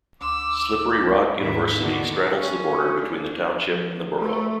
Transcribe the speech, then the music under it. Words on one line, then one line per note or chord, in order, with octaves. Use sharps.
Slippery Rock University straddles the border between the township and the borough.
D2 C6 D6 E6
D#2 G#2 D#3 B4 E5
B2 D3 D#3 D4 D#4 F#4
C#4
D4
F3
A3